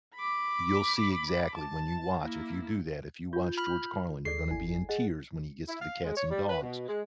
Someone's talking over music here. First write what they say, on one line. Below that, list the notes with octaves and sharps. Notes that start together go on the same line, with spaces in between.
you'll see exactly when you watch, if you do that, if you watch George Carlin, you're gonna be in tears when he gets to the cats and dogs,
B5 D6
A5
A#3 E4
D#4 F4 G6
B5 F6
D#2 G#4 A4 D5 C7
G1 E4 G#5
G#4 D#5 F#5
E4
F5
G#3
C#5
G3
B4
B2
G#3